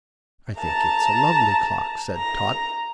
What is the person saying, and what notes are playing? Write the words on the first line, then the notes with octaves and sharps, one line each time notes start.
"I think it's a lovely clock," said Tot.
A5 A#5
A#5